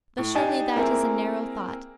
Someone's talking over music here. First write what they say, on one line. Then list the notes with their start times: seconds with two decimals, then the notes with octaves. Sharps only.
But surely that is a narrow thought.
0.18 A2
0.35 D4 D#4 G4 G#5 A5
0.76 A#3 C4 E4 G#4 A#4